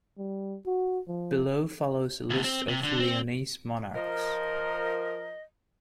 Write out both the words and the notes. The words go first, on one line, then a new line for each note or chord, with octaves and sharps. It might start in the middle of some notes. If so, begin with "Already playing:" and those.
Below follows a list of Leonese monarchs.
G3
F#4
F3
D2 B2
C4
C3
D3
C4
F3 A#4 D#5